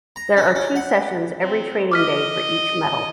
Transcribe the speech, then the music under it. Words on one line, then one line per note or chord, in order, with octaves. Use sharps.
There are two sessions every trading day for each metal.
A#5
C#4
C#4
F#5
C4
D#5 D6 F6 B6